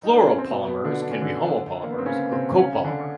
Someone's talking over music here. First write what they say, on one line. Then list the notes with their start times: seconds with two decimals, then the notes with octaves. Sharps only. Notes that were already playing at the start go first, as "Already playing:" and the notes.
Fluoropolymers can be homopolymers or Copolymer.
0.03 D#4
0.15 D4
0.27 C#4
0.38 C4
0.50 B2 B3
0.67 B2 B3
0.85 D3 D4
1.02 D4
1.11 C#4
1.21 D3 D4
1.83 A#3
1.91 B3
1.98 C4
2.06 C#3 C#4
2.32 C3 C4
2.58 C#3 C#4
2.84 D3 D4